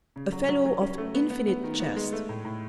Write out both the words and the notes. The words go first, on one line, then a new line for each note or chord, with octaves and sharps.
A fellow of infinite chest.
C#3
F#3
F#3
F#3
C#4
A3
B3
B3
B3
D#3
B3
G#3
A3
A2
A2